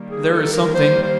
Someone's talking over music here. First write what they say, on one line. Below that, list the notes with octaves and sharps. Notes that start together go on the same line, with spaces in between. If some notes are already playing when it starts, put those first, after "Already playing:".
There is something....
Already playing: D#3 G3 A#3
G#4
A4
A#4
C5
C5